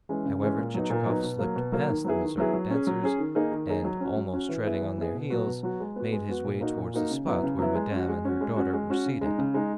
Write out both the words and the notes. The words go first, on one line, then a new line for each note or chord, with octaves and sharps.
However, Chichikov slipped past the mazurka dancers, and, almost treading on their heels, made his way towards the spot where Madame and her daughter were seated.
E3 G#3 C#4
C#3
E3 G#3 C#4
A#2
F#3 B3 D#4
A#2
F#3 B3 D#4
B2
F#3 A#3
B2
F#3 A#3
D#3
F#3 B3 E4 G#4
D#3
F#3 B3 E4 G#4
F#3
C#4 G#4
F#3
C#4 G#4
D#3
A#3 D#4 G#4
D#3
A#3 D#4 G#4
F#3
C#4 F#4
F#3
C#4 F#4
E3
B3 E4 G#4
E3
B3 E4 G#4
B2
F#3 B3 F#4
B2
F#3 B3 F#4
G#3
B3 F#4
G#3
B3 F#4
A#2
A#3 D#4 F#4
A#2
A#3 D#4 F#4
C#3
F#3 B3 E4
C#3
F#3 B3 E4
G#3
C#4 F#4
G#3
C#4 F#4
G#3
C#4 F#4
G#3
C#4 F#4
C#3
G#3 D#4
C#3
G#3 D#4